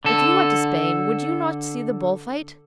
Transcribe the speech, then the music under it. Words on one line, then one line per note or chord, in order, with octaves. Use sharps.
If you went to Spain, would you not see the bull-fight?
D3 A4